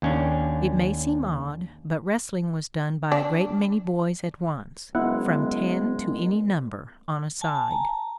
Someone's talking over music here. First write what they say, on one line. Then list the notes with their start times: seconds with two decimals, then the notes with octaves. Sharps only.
It may seem odd, but wrestling was done by a great many boys at once--from ten to any number on a side.
0.02 D#2 C#4 D4
3.12 D4
4.95 F#1 G#3 B3 E4 F#5
7.41 G#5 A5
7.71 A#5